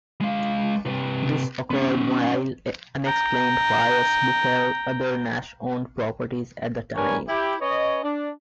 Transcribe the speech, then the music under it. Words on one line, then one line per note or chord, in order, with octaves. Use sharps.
This occurred while unexplained fires befell other Nash-owned properties at the time.
G#3 F5
C3 B4
B3 C#4
G5 A#5
G2 D4 A#4 B4 C#5 G#5
E4 G4
C#4 B4 C#5 D#5
D4